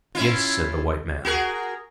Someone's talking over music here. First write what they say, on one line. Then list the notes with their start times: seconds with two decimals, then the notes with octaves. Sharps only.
"Yes," said the white man.
0.15 C#4 E4 F4
1.25 F#4 G#4 A#4